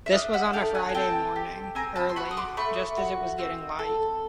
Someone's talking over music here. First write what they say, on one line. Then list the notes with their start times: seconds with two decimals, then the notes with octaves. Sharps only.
This was on a Friday morning, early — just as it was getting light.
0.06 E5
0.13 D4 D#5 F5
0.33 E5 F#5
0.53 A4 F5 G5
0.75 F#5 G#5
0.89 G#5
0.94 C4 G5 A5
1.36 G4
1.75 C4 G#5 A#5
1.96 A5 B5
2.09 C6
2.16 F#4 B5 C#6
2.31 D#6
2.37 C6 D6
2.57 A3 B5 C#6
2.97 F#4
3.38 C4
3.79 A4